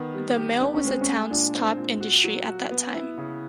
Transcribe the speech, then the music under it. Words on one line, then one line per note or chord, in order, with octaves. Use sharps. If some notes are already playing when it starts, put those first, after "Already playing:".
The mill was the town's top industry at that time.
Already playing: D#3 B3
G3
G4
B3 D4
C#4
G#3 C4
C#4
G#3
A#2 D4
C4
A#2
F#4
F#3
F#4
B3
E4
C#3